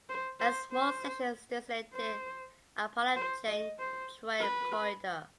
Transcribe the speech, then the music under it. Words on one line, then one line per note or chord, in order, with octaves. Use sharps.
A small section is designated "Appalachian Trail Corridor".
C5
C5
C5
C5
C5
D#5
C5
B4